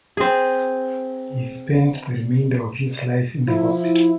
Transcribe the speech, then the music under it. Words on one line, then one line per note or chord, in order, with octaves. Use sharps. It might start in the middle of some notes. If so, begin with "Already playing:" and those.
He spent the remainder of his life in the hospital.
C4 G#4
F3 E4